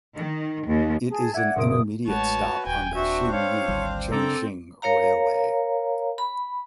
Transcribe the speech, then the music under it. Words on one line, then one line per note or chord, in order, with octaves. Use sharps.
It is an intermediate stop on the Xinyi–Changxing railway.
D#3
D#2
G#4 A5
D5 E5 F#5 G#6
F#1 A#2 D#6 D7
A1 G#3 A3 F#4 B4 C#5 A5
D#1 G5 G#5
C4 D4 F#4 C5 E5
C#5 F5
G#1 D2 G3
F#2 C#3 C4 D4 A4 A#5 D6
A#4 C#5 F5 A#5
B5